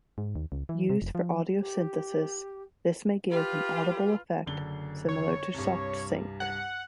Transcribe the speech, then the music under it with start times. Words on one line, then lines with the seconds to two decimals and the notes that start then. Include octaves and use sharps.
Used for audio synthesis, this may give an audible effect similar to Soft Sync.
0.18 G#2
0.36 D#2
0.52 C#2
0.69 E3
0.90 C3
1.02 F1
1.15 F3
1.60 G4
3.31 F4 G4 B4 F5
4.46 F#1 D3 G7
5.09 C#5
5.54 C2 G2
6.40 F#5